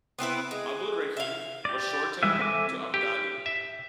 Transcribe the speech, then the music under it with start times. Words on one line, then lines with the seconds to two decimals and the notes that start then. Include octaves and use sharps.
Abulraheem was shorten to Abdali.
0.19 B3 C4 E4 B4
0.51 G#3
1.17 E5 F5
1.65 G4 D5
2.23 E3 G3 G#3 E5
2.39 C4 A4 E5 G#5 D6
2.94 G4
3.46 E5